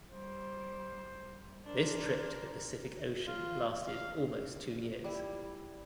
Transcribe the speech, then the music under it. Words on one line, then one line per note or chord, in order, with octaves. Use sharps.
This trip to the Pacific Ocean lasted almost two years.
G3 C5
D4 A#4 C5
F4
F5
G3 E4